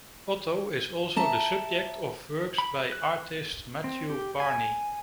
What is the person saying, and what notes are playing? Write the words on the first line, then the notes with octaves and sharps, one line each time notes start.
Otto is also the subject of works by artist Matthew Barney.
E5 A5 A#5
B5
F#6
C4
G4
G#5